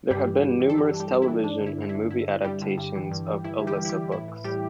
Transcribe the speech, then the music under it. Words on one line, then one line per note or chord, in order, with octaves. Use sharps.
There have been numerous television and movie adaptations of "Alisa" books.
G2 G3 G4
E3
G2
E3
A4
G2 G3 G4
E3
G3 G4
G2
E4
E3
G2 D4
D3
E4
G2
E4
D3
G2 E4
D3
G2 G3 G4
D3
G2
E3
G2
E3
G2 E4
E3
G3 G4
G2
E4
E3 G3 G4
A2 E4
E3
A2 G3 G4